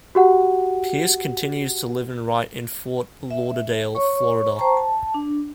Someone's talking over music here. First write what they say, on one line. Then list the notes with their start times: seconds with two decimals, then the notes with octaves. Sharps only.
Pearce continues to live and write in Fort Lauderdale, Florida.
0.15 F#4 G4 F#5
3.30 E5
3.95 C#5 C#6
4.58 C5 G5 A5 A#5 C#6
4.77 A5
5.14 D4